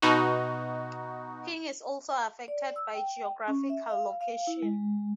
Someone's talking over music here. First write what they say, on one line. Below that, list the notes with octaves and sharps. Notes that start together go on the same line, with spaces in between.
Ping is also affected by geographical location.
B2 D#4 F#4
D5
E6
G5
C#4
E5
F5
F5
E4
G#3